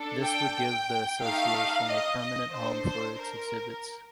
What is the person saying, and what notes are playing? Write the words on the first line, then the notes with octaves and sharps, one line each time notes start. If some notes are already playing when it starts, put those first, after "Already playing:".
This would give the association a permanent home for its exhibits.
Already playing: D4 A4
G5
G5
A3 D#4 G4 F5
D#5
D#5
D4 A4 C5
C5
A#4